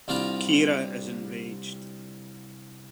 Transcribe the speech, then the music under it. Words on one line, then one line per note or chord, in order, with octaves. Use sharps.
Kira is enraged.
C2 C4 D4 F4 A#5 B5